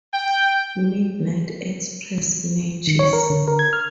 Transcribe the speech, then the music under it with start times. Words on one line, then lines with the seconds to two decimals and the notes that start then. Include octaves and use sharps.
Midnight Express matches.
0.13 G5
2.87 D#3
2.99 C#5
3.13 A#4
3.30 D3
3.48 A#4
3.59 G#6
3.73 F6